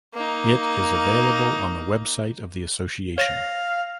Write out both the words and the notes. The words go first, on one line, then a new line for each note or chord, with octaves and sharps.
It is available on the website of the association.
A#3 D#4
C#5 F5 A6 A#6